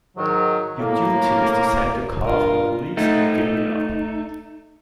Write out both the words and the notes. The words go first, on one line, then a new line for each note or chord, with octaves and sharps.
Your duty is to send your car for the police and give me up.
G#2 D#3 F#3
A2 A#3
G2 F4 A#4
A3 D#4